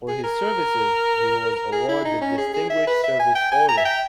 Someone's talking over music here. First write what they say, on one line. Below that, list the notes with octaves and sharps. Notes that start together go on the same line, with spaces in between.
For his services, he was awarded the Distinguished Service Order.
G#4
A#4
A#4
G#4
E4
D#4
C#4
G#4
G#4
E5
B4
E5
G#5
G5
G#5
A#5
E5
G5